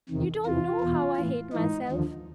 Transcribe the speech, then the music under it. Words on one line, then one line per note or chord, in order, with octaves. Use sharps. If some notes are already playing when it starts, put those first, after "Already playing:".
'You don't know how I hate myself.
E2 C3 D#3
E2 C3 E3 F4
E2 B2
A2 E3
G#2 E3 D#4
D#2 D3 F3